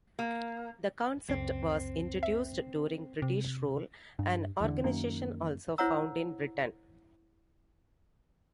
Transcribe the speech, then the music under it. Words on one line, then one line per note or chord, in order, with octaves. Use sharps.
The concept was introduced during British rule, an organisation also found in Britain.
A#3
C#2 F#2 C#3 C4
E5
C3
G2
E2 D3
F#2 D#3 A#3
E4 C5 C#5 F#5 A#5 E6